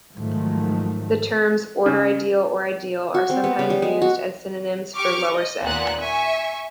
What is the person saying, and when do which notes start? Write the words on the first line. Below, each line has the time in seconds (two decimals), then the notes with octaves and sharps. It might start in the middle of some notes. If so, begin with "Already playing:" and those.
The terms order ideal or ideal are sometimes used as synonyms for lower set.
0.16 G#2 D#3 F3 F#3 A3
1.86 C#3
3.14 F#4
3.30 C4
3.44 B3
3.59 C#3
3.70 G3
3.82 G#3
4.02 F#4
4.96 G4 C#6 D6 F6
5.31 D#5
5.61 D#2 A#2 B3 F#5 F#6
5.99 E5 G#5 C#6